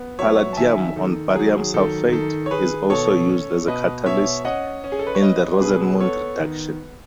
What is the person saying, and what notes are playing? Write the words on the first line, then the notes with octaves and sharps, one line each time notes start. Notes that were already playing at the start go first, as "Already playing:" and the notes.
Palladium on barium sulfate is also used as a catalyst in the Rosenmund reduction.
Already playing: B3
F#3 C#5 E5
A5
D#3 E5 G#5
D#3 A4
F#3 G#4
D#3 A4
D#3 A4
C#5
D#3 G#4 B4
B2 A4 C#5
C#4
B2 B4 D#5
B2 C#5 E5
C#4 D#5 F#5
C#4
G#4
A4
B4
C#5
C#4 B4 D#5
B2 G#4 B4
B3 A4 C#5
D#3